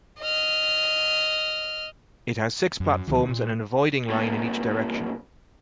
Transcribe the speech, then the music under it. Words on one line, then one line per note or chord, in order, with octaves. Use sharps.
It has six platforms and an avoiding line in each direction.
D#5 F6
F#2
D2 D#3 F3
A#2
C2 A#2